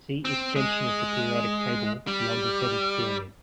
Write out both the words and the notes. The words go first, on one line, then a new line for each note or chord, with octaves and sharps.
See Extension of the periodic table beyond the seventh period.
C4
G#3
G3